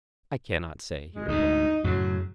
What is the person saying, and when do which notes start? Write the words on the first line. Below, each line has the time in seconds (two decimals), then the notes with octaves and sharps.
I cannot say, he replied.
1.15 G#3
1.28 D2 G#2 D#4
1.84 F#2 A2 C#3 F#3